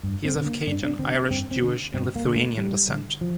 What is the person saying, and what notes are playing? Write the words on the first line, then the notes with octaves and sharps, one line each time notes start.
He is of Cajun, Irish, Jewish, and Lithuanian descent.
G2
C4
D3
A#3
G2 D4
D4
D3 C4
C4
G2 C4
C4
D3
G2 C4
A#3
D3
A3
G2 G3
D3
F3